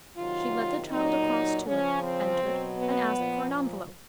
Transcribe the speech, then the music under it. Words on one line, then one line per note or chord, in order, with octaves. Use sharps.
She led the child across to it, entered, and asked for an envelope.
C3 D#3 F#3 F4
A#2 F#3 D#4
C#3 F3 C#4
C4
B2 F#3
B3
A#2 F3